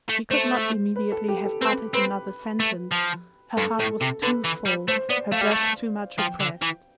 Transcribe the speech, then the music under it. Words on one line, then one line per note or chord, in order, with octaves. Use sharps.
She could not immediately have uttered another sentence; her heart was too full, her breath too much oppressed.
A3
A3 C5
B4
A4
G4
A4
C4 B4
C4 B4
A3
F3
G2 A4
A2 A4
C3 A4
D3 B4
E3
G3
A3 C5
B3 D5
A3 F5
G3
A3
F3 G5
D3
E3